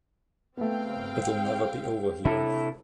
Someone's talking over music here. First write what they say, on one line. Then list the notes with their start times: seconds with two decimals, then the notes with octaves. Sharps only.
It'll never be over here.
0.57 A3 B3 C4 F5 G5
2.25 C3 D4 E4 A4